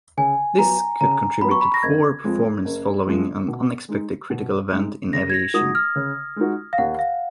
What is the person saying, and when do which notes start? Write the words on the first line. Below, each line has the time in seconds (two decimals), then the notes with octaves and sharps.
This could contribute to poor performance following an unexpected critical event in aviation.
0.17 C#3 G#5
0.59 F#3 B3 A#5
1.01 C#3 A#5
1.41 F#3 B3 B5
1.51 C#6
1.61 B5
1.74 A#6
1.83 F#1 G#6
2.24 F2 F3 G#3
2.65 F#1
3.06 F2 F3 G#3
3.48 B2
3.89 G#3 D#4
4.30 B2
4.71 G#3 D#4
5.13 C#3 A#6
5.30 G#6
5.34 A#6
5.54 G#3 D#4 F#4 D#6
5.75 F6
5.96 C#3
6.36 G#3 D#4 F#4
6.73 F5
6.78 D#2 F#5
6.99 F5